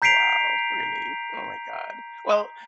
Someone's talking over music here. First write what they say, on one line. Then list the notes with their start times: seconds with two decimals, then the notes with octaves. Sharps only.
wow, really? Oh my god. Well,
0.02 A#5 G6 B6 C7 D7 F7